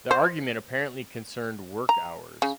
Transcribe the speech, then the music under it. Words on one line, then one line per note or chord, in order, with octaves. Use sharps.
The argument apparently concerned work hours.
C5
A#5
C#3